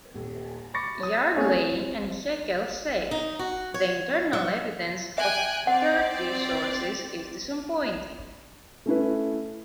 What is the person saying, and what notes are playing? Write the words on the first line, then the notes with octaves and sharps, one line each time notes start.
Yardley and Heckel say: The internal evidence for Curtius' sources is disappointing.
D#1
B5 C#6 D6 A6 A#6 C#7
C#5 D#6
A3 C4 C#4 G#4 C#5
C4
D#4
F#4
C#5
F#3
E5 G5 G#5 F#6
C4 D5 F#5
A3 C#4 E4 B4